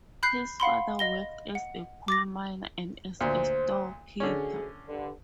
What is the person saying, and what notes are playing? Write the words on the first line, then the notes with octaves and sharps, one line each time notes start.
His father worked as a coal miner and as a storekeeper.
B5 F#6 G6 C7
F5 F#5 B5 C6
D#5 A#6 G7
F#5
D6 A6 A#6
D2 A#2 C5
D2 D3 C#4 G#4
G2 D3